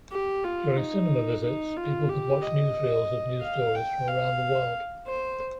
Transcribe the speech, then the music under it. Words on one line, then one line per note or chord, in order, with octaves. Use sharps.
During cinema visits, people could watch newsreels of news stories from around the world.
G4
F4
D#4
D#4
F4
G4
D#5
F5
G5
F5
C5